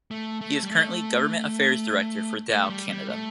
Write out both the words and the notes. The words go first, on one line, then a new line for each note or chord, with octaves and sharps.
He is currently Government Affairs Director for Dow Canada.
A3
A3
G3
A3
A3
G3
G3
A3